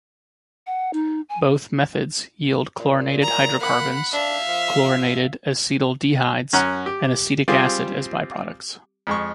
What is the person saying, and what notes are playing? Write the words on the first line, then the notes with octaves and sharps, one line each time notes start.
Both methods yield chlorinated hydrocarbons, chlorinated acetaldehydes, and acetic acid as byproducts.
F#5
D#4
G#5
A#2
A#5
A#3 F#5 B5
D4 E5 F5
F3
F#2 C#4 F#5 A#5 F#6
G4
G3 C4 F4 G4 G#4
F2 G#3 C#6